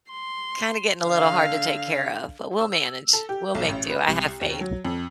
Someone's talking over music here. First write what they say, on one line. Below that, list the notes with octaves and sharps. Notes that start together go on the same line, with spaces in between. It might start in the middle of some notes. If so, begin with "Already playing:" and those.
kinda getting a little hard to take care of, but we'll manage. We'll make do, I have faith.
C6
D3 F5
E6
A4
G4
B1
A1
B4
C2
D#2
F#3
F2